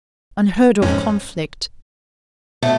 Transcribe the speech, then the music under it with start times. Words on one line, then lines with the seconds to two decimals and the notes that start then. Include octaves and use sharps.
Unheard-of conflict!
0.82 F2 G#2 C#4
2.63 B2 A3